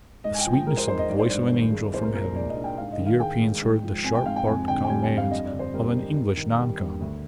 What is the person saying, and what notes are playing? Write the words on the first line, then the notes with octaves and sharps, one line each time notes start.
With the sweetness of the voice of an angel from heaven the Europeans heard the sharp-barked commands of an English noncom.
G#2 D#5
G#5
G5
F3
G5
G#3 A#4
C5
D#4 C5
D#5
G#1 D5
C5
G2 D5
D#3
G#3
C2 C5
A#4
A#2 A#4
G#3 D5
D#5
D4
G5
G#2 F5
D#5
D#3
F5
G#3 G5
G#2
G#2
F3
C4 G#5
G5
G#2 F5
G5
F2 G#5
D3 G5
G5
G3 G#5
G5
F2
F5
G2 D#5
D5
D3
C5
G3 A#4
C4
G2
D#3
G3
G2
D2